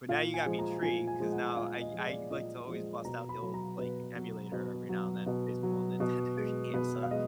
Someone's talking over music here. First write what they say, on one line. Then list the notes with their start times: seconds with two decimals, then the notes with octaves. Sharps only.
but now you got me intrigued 'cause now I I like to always bust out the old, like, emulator every now and then based on old Nintendo games. So,
0.09 A#2 F5
0.34 G#5
0.46 F3 G#3
0.59 A#5
0.82 A#2 G#5
1.07 G#5
1.20 F3 G#3
1.32 F#5
1.57 A#2 F5
1.81 D#5
1.93 F3 G#3
2.06 D5
2.31 A#2 D#5
2.68 F3 G#3
3.05 B2 A#5
3.29 B5
3.42 F#3
3.54 A#5
3.78 B2 B4
4.15 F#3
4.52 B2
4.89 F#3
5.26 B2
5.63 F#3
6.00 B2
6.37 G#3
6.74 B2 B4
7.03 F5
7.11 G#3 D#5